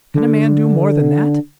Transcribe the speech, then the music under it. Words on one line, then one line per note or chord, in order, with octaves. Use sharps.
Can a man do more than that?
D3